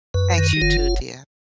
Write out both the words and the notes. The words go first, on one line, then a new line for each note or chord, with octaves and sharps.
Thanks, you too, dear.
F#2 B4
D#3
D#4
F#1 F4